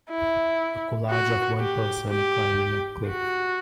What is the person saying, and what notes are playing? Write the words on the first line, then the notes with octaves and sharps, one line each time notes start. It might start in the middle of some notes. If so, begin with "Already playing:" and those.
A collage of one person climbing a cliff.
E4
F#4
G4
G4
F#4